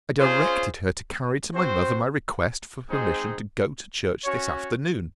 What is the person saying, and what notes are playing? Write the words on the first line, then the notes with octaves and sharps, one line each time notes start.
I directed her to carry to my mother my request for permission to go to church this afternoon.
C#4 F4 G#4 C5
C4 F#4 C5
G#3 C4 D#4 G#4 C5
C#4 F#4 C#5